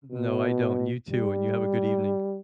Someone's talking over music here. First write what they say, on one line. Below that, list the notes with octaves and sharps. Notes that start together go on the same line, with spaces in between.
No, I don't, and you too, and you have a good evening.
B2
G3